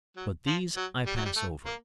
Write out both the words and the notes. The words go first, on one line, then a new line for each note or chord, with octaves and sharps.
But these I pass over.
F#3
F3
F#3
G3
F#3
G3
A3
A#3